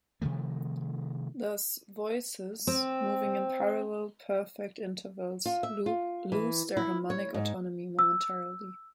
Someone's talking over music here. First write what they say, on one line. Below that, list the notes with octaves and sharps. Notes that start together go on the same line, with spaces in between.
Thus voices moving in parallel perfect intervals lose their harmonic autonomy momentarily.
C3 D#3 F3 A3
C4
F4
E5
F4
E3
E4
C#5
G#2
E6